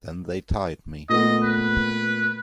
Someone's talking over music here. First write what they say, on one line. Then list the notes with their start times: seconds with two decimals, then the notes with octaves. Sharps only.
Then they tied me.
1.09 A#2 A3 B3 D#5
1.43 B4